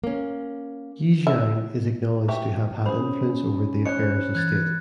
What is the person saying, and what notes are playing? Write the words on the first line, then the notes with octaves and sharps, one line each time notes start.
Yi Jiang is acknowledged to have had influence over the affairs of state.
A#3 C#4
E4
F#4 G4 E5
C#4 G#4 C5 B5
C5 C#5 D#5 F#6 C#7
E3 F#6 G#6 A6